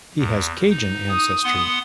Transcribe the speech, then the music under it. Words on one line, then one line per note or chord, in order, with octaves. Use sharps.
He has Cajun ancestry.
E2
D#4
D#6
B3 F#5 C6